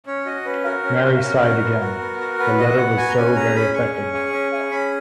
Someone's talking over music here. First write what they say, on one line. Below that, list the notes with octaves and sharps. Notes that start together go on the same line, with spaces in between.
Mary sighed again — the letter was so very affecting.
C#4 C#5
F#4 D#5
C#4 B4
F#4 A#4
C#4
F#4
C#4
F#4
B3
F#4
B3
F#4
B3 B4
F#4 D#5
E5
B3 F#5
F#4 G#5
A#5
C#4 G#5
G#4 A#5
C#4 B5
G#4 C#6
C#4
G#4
C#4
G#4
C#4 B5